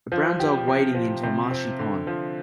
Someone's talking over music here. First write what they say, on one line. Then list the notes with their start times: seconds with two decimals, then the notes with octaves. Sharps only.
A brown dog wading into a marshy pond.
0.12 F3
0.40 G4
0.68 C3
0.95 F3
1.24 C3
1.51 C4
1.79 D3
2.07 F3